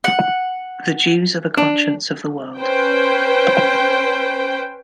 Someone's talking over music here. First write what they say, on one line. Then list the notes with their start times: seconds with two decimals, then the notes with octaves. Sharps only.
The Jews are the conscience of the world.
0.04 F#5
1.57 D4
2.58 C#4 B4 C5 G5